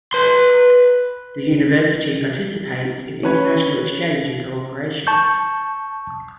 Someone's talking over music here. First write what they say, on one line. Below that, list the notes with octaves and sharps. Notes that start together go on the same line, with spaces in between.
The university participates in international exchange and cooperation.
B4 C6
C#4 B4 C#5
A5 C#6 G6